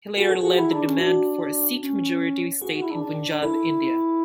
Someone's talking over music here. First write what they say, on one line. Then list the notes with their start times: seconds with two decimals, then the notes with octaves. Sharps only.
He later led their demand for a Sikh-majority state in Punjab, India.
0.17 F#4 G#4
0.29 A4
0.41 F#4 G#4
0.58 E4
0.72 D4
0.85 C#4
0.98 D4 F#4
1.80 C#4
2.61 F#4 G#4
2.72 F#4
2.82 E4
2.91 D4
3.02 D4
3.42 E4 A4